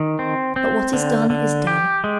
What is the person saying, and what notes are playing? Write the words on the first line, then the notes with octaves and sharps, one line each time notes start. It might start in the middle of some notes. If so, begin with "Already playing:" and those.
But what is done is done!
Already playing: D#3
C4
C4
D3
D3
G4
G#3